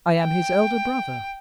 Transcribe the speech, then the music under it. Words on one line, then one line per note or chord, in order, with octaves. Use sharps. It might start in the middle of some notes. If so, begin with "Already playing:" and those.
"I am his elder brother."
G5